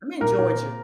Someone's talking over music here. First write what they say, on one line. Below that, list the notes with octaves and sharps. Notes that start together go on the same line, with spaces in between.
I'm in Georgia.
A#2 A#4
A#2
C4